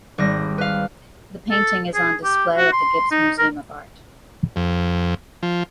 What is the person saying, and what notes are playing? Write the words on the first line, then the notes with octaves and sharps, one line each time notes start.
The painting is on display at the Gibbes Museum of Art.
G#1 G3 A#6
B4 F5
A4
G#4
G4
F#4
C6
D#4
A#4
F2
F3